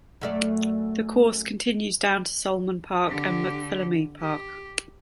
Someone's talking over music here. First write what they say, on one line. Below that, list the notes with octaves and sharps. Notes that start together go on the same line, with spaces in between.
The course continues down to Sulman Park and McPhillamy Park.
F#2 A3 D5
D3 G4
G4